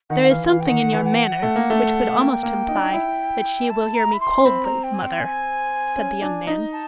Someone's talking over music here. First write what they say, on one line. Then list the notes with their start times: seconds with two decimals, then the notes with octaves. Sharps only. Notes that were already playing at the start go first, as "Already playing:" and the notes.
'There is something in your manner, which would almost imply that she will hear me coldly, mother,' said the young man.
0.10 D#3 F#5
0.23 F#5
0.29 E3 F5
0.48 E3 F5
0.60 G5
0.66 D#3 F#5
0.93 E3
1.05 F#5
1.42 A3
1.56 A#3
1.70 A3
2.18 A#3 G5
2.43 A#3
2.68 D#4
2.76 D4
2.83 D#4
2.94 E4
3.69 A5
3.94 A#5
4.13 B5
4.20 C6
4.44 C4 B5
4.65 A#5
4.83 G5
4.93 G#5
5.02 G5
5.20 G#5
5.97 C#4
6.22 D4
6.47 D#4
6.72 A5